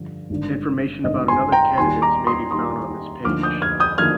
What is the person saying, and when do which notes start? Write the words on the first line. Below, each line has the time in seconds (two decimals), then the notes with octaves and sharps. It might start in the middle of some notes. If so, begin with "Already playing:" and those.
Information about another candidates may be found on this page.
Already playing: G2 D3 F3
0.30 G#1 G2 D3
1.04 G#1 G2 D3 D#5
1.28 G#5 C6
1.52 G5 A#5
1.78 D#2 D#3 G3 G#5 C6
2.02 A#5 D6
2.27 C6 D#6
2.51 D#2 D#3 G3 C6 D#6
3.25 D2 D3 F3 A#3 D#4 D6 F6
3.43 D#6 G6
3.62 F6 G#6
3.80 D#6 G6
3.98 D3 F3 A#3 D#4 F6 G#6